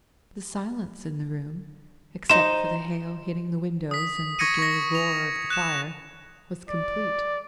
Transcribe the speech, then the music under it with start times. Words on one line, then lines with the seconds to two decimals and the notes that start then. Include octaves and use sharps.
The silence in the room, except for the hail hitting the windows and the gay roar of the fire, was complete.
2.30 D#4 C5 E7
3.91 D#6 B6
4.39 C#6 D#6 G#6 A#6 C#7 D#7
4.59 C#6 A#6
4.95 F7
5.50 F#6 E7
6.69 D5